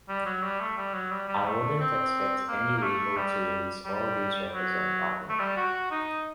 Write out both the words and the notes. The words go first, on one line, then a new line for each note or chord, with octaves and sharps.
I wouldn’t expect any label to release all these records on vinyl.
G3
F#3
G3
A3
G3
F#3
G3
G3
A3
C4
A#3
A#3
A3
G3
G3
F#3
A3
G3
F#4
D#4